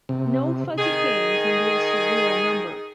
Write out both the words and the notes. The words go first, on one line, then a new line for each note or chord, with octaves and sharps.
No fuzzy game can be a surreal number.
C3
D#3 G#4